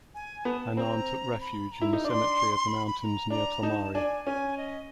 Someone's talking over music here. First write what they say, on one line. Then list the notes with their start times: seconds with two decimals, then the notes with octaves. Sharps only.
Annan took refuge in the cemetery of the mountains near Tomari.
0.15 G#5
0.45 B3 A#5
0.50 A5
0.77 C4 A#5 B5
1.41 B5
1.72 A#5
1.81 E4
1.93 D#4
2.04 D4 D6
2.09 C6
2.68 B5
2.87 B5
2.99 B5
3.04 A#5
3.30 D4 A#5
3.62 D#4 A5
3.94 D4 G#5
4.25 C#4 G#5
4.58 D#5